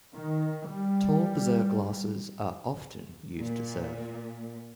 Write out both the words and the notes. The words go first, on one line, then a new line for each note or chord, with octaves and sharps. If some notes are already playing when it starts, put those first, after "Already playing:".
Tall dessert glasses are often used to serve.
D#3
G3
A#2